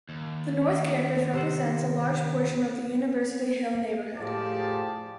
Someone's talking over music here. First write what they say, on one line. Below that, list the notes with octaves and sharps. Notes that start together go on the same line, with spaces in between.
The North Campus represents a large portion of the University Hill neighborhood.
D#2
C3 C5 F#5
A2 F3 G4 G#4 D5 A5